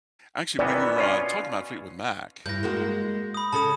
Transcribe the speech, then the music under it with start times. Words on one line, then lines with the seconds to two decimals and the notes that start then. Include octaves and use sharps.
Actually, when you were, uh, talking about Fleetwood Mac,
0.59 D#3 E3 B3 D5
0.96 B2 C#4 F4
2.46 G2 E4 G6 A#6
2.63 G#3 A#3 F#4
3.34 B5 D#6
3.53 C#3 C#4 A4 A5 B5 D#6